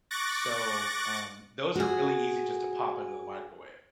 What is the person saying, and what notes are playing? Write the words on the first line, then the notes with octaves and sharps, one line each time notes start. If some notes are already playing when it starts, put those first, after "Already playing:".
so, um, those are really easy just to pop into the microwave.
C#6 D6 F#6 A6 A#6
F#4 G#4